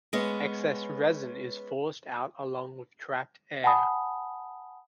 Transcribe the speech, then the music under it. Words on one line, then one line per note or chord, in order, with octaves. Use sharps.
Excess resin is forced out along with trapped air.
G#3 B3 C#4
F#5 G#5 A5 B5 D#6